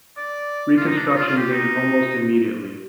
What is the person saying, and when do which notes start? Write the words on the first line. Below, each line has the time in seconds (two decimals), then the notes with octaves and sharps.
Reconstruction began almost immediately.
0.17 D5
0.77 F4
0.87 D#4
0.97 D4
1.07 D#4
1.17 F4
1.27 F4
1.37 G4
1.52 D#4